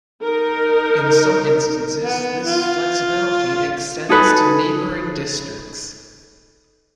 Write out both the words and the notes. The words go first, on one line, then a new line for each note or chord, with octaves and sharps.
In some instances, this flexibility extends to neighbouring Districts.
D#4 A#4
B3
F4
D#4 G#4 A4 B4